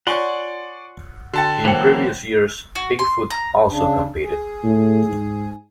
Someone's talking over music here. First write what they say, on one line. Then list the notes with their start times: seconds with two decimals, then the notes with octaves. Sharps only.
In previous years, Bigfoot also competed.
0.07 F4 C#5 D5 F#5 G#5 C6 C#6
1.33 D3 F#4 G5 A5 A6
1.65 E3 F#3 A#3 C5 G5
2.75 F#4
2.99 C6
3.30 A#5
3.69 C#3 D4
4.22 G#4
4.64 A2
5.08 G#2